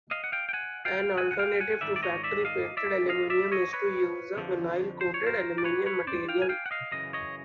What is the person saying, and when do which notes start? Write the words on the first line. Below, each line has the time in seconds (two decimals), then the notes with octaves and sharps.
An alternative to factory painted aluminum is to use a vinyl coated aluminium material.
0.11 D#5 F5
0.24 F#5
0.32 F5 G5
0.49 G5
0.53 F#5 G#5
0.85 F5 G5
1.17 F#5 G#5
1.31 F#5
1.39 F5 G5
1.60 F#5 G#5
1.81 G#2 D#3 G3 D5 E5
1.96 D5
2.03 C#5 D#5
2.24 D5 E5
2.45 D#5 F5
2.77 D5 E5
3.09 D#5 F5
3.30 D5 E5
3.52 C#5 D#5
3.73 B4 C#5
4.37 F2 D3 F3
5.01 C5
5.14 C#5
5.26 A#4 C5
5.58 D5
5.64 B4 C#5
5.86 B4 C#5
6.07 C5 D5
6.29 F5 G5
6.42 G#5
6.49 F5 G5
6.66 F#5
6.71 D#5 F5
6.92 F#2 C#3 E3 D#5
7.13 C#5 D#5